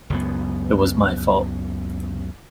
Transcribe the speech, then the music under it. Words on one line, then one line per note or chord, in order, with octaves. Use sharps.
It was my fault.
C#2 F#2 B3